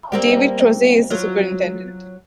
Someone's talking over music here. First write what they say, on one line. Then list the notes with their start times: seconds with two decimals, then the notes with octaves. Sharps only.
David Kroeze is the Superintendent.
0.12 G3 A#3 C4
1.10 F#3 F4